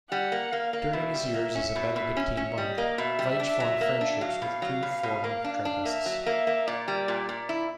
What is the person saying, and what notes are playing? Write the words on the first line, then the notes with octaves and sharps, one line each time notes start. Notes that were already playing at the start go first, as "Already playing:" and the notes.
During his years as a Benedictine monk, Veitch formed friendships with two former Trappists.
G3 F#5
A#3
A#3 F5
A#3
B2 E5
G3
A#3
C#4
B2
B2
C#4
C#4
G3 D#5
A#3
B2 E5
G3
D4
F#3
A#3
D4
F#3 F5
B2
F#3
B2
B2
A#3
D4
D4
A#3 E5
F#3
A#3 E5
A#3
A#2 D5
G3
A#2
A#2
E4